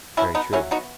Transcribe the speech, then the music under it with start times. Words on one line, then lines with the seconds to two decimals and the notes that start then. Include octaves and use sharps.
Very true.
0.17 B2 C#4 E4
0.35 B2 B3 D#4
0.53 F#3 C#4 E4
0.71 B3 D#4 F#4